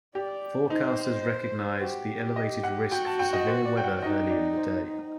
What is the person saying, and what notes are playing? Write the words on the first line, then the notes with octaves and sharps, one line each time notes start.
Forecasters recognized the elevated risk for severe weather early in the day.
G4 D5
D#4 C5
F#4 G4
D#5
F#5
F#4 G5
A5
G5
D#5
C5
D5
G5
F#5
D#4 D#5
D5
C5